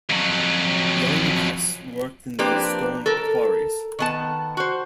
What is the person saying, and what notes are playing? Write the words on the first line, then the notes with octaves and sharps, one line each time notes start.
Young Kress worked in the stone quarries.
F2 F#3
F3 A#3 C4 D4 G4 B4
A4 A#4
D#3 B3 A5
F#4 C5